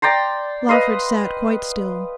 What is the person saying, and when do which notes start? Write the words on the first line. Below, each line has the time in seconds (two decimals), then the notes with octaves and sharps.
Lawford sat quite still.
0.02 D5 G5 A#5 C6
0.69 B4 D#5 F5 C6